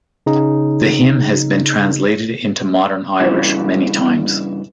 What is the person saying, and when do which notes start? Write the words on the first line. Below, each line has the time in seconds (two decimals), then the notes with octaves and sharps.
The hymn has been translated into Modern Irish many times.
0.26 C#3 D#4
3.20 G2 C#3 E3